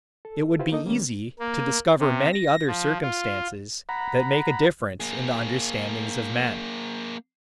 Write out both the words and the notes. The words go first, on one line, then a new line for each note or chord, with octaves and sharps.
It would be easy to discover many other circumstances that make a difference in the understandings of men.
A4
E4 F4 G4 B4 C5 F5
A#3 D#4 A4 D#5
D#3 G3 A#3 B3 C#4
A#3
C3
A#6
F3
F4
F#5 A#5 B5
A#3 G#4